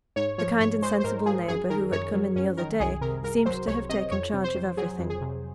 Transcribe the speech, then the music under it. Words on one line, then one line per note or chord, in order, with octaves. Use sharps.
The kind and sensible neighbour, who had come in the other day, seemed to have taken charge of everything.
G#2 C#5
F3 C#5
G#2 C#5
G#3 C5
C5
G#2 A#4
F3 G#4
F#2 G#4
D#3 A#4
F#2 C#5
F#3
F#2 C#4
D#3 A#4
C2 G#4
C3 A#4
C2 A#4
F#3 C5
C2 C#5
C3 D#5
F2 C#5
C3
C5
F2
F#3 G#4
F2
G#4
C3